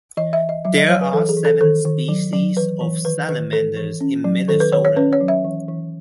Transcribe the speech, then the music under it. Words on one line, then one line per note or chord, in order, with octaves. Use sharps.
There are seven species of Salamanders in Minnesota.
E3 D#5
E5
E3
D#5
F#3 E5
D#5
F#3 C#5
B4
E3 A4
G#4
E3
A4
D#3 A4
D#3
F#3
F#3
E3 B4
E3
D#3 B4
D#3 B4
E3 A4
E3
C#4
F#3
D#3 A4
B4
D#3 C#5
C#5
C#4 B4
C#5
F#3
E5
E3
E3